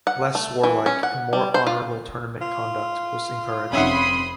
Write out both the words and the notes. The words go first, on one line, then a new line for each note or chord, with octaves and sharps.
Less warlike and more honorable tournament conduct was encouraged.
F#5
A3
E3
C#4
F#5
G3
C5
F4
F4
F1 C4 C#4 E5 F#5 B5 C6 D#6